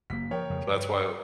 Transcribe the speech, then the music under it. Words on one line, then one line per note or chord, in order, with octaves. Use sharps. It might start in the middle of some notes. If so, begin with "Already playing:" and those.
so that's why
F#1 A#3 B6
F3 A#4 C#5 G5
F2 C#3
G2